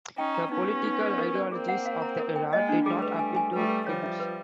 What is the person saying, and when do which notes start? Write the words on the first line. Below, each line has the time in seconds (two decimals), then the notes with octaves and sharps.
The political ideologies of the era did not appeal to Ibuse.
0.18 C#4 D#4 G5
0.35 A#5
0.51 B3 C#4 D#4
0.68 G4
0.85 D#4
1.02 B4
1.18 A#4
1.35 D5
1.52 A#3 C4 G#4
1.69 F#5
1.86 F5
2.02 A#5
2.19 A#4
2.36 G5
2.52 G#3 A#3 D#5
2.69 D4
2.86 G3 A3 G#4
3.02 B4
3.19 G#5
3.36 G#5
3.53 G3 A3 B4
3.69 B4
3.87 F3 G3 C#5
4.03 E5
4.20 B4